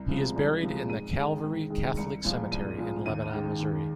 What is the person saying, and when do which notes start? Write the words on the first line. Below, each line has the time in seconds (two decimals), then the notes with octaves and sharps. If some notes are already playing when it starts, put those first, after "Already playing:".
He is buried in the Calvary Catholic Cemetery in Lebanon, Missouri.
Already playing: C2
0.08 C3 F3 G#3
0.36 C2
0.63 C3 F3 G#3
0.90 G#2 D#7
1.17 D#3 G#3
1.44 G#2
1.70 D#3 G#3
1.97 C2 C#7
2.25 A#2 F3 G#3
2.52 C2 D#7
2.78 A#2 F3 G#3
3.06 D#2 D#7
3.32 D#3 G#3
3.60 D#2